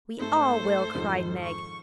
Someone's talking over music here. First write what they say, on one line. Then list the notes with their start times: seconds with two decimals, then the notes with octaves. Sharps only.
"We all will," cried Meg.
0.19 G#2 A3 A4 C5
0.95 F2 G#2 D#3
1.44 C#6